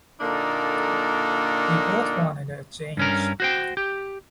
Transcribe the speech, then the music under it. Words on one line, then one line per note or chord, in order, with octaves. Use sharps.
We both wanted a change.
A#2 D3 A#3 D4 D#4 A4
G2 C#4 A#4
F#4 C5 G5
G4